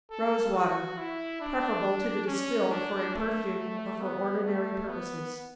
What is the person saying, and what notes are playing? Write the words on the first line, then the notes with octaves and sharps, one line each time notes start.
Rose-Water.--Preferable to the distilled for a perfume, or for ordinary purposes.
A4
F#4
E4
D4
C#4
D4
A3
B3
A3
B3